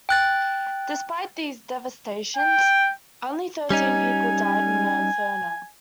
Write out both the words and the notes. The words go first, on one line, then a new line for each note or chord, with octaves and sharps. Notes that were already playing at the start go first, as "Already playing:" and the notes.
Despite these devastations, only thirteen people died in the inferno.
G5 F#6 A6
G5
G3 C#4 D#4 G#5